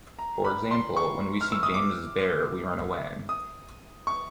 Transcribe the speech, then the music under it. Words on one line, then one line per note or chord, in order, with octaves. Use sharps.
For example, when we see James's bear, we run away.
A#5
B5
C6
C#6
F6
E6
D#6
D6
D#6
C#6